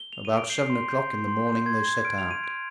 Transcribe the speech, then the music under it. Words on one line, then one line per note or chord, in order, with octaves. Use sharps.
About seven o'clock in the morning they set out.
G7
F7
D#7
D7
G6 C7
C6
G6
C6
C6
G6
C6 G#6
C6 G#6
F6 D7
F7
F6
D#7
F6 D7